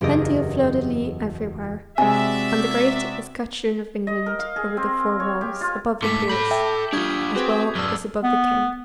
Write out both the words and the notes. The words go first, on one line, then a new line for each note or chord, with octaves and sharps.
Plenty of fleurs-de-lis everywhere, and the great escutcheon of England over the four walls, above the peers, as well as above the king.
F#1 E2 G4 A#4 D#5
C3 G#3 F#4 D5 E5 G#5
D#5
A#4
F5
G#4
C4
C#5
G4
F4
G#2 A3 A4 D6 B6
A4 B5 G6
E5 G5 A5
G3 D4 F4 C#6 D#6 G#6
C4 F#4 G#4 B4
F#2 D4 E6 F6
B3